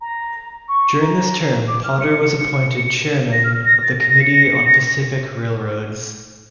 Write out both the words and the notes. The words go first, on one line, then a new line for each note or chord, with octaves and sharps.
During this term Potter was appointed Chairman of the Committee on Pacific Railroads.
A#5
C#6
A#5
D6
F6
C#7
A#6
F6
A#6
A6
A#6
A#6
C#7
A#6
C#7
C#7
A#6